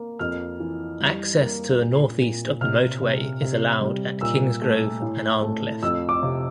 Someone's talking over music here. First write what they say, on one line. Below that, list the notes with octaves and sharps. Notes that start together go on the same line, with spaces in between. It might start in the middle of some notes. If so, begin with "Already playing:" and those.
Access to the north east of the motorway is allowed at Kingsgrove and Arncliffe.
Already playing: A#3
F2 F6
E3
G3
A#3
A#2
A#2
C3 F6
C3
C3
G3
A#2 E6
A3
A2
A3
F2 E6
D6
C3